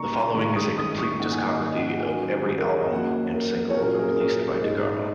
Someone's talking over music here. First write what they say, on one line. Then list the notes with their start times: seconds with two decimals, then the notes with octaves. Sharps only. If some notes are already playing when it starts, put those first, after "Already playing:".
The following is a complete discography of every album and single released by DeGarmo.
Already playing: C#3 A#3 D#4 A#5 C#6
0.13 A#5
0.34 D#3 G#3 D#4 C#6
0.55 D#6
0.77 D#6
0.99 C#6
1.19 G#2 D#3 A#3 D#4 F#5
1.32 G#5
1.39 F#5
1.49 D#5
1.72 D#5
1.77 F#5
1.98 F#5
2.05 D#3 F#3 C#4 G#5
2.48 G#4
2.58 A#4
2.69 C#5
2.81 D#5
2.91 F#2 F#3 A#3 F#5
3.34 A#4
3.70 C#5
3.77 A#2 F#3 C#4 A#4
3.93 G#4
3.99 A#4
4.20 A#4
4.41 A#4
4.63 G#2 G#3 D#4 D#5